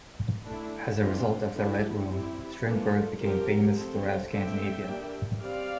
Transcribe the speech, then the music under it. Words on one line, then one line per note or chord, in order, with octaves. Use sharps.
As a result of "The Red Room", Strindberg became famous throughout Scandinavia.
D3 A3 D4 E4
E3 A3 C4 D4 F4
D3 G3 D4 E4
G3 C4 E4 G4
E3 A#3 D4 F4 A4
F3 C4 G4 A#4
F3 C4 A4 C5
D3 A3 C4 E5 G5
G3 A#3 D4
G3 C4 D5 F5